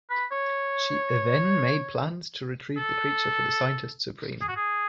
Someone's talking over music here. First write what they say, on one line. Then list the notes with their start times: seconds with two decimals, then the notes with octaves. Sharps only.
She then made plans to retrieve the creature for the Scientist Supreme.
0.10 B4
0.32 C#5
2.77 A4
4.41 G#4
4.48 F#4
4.56 G#4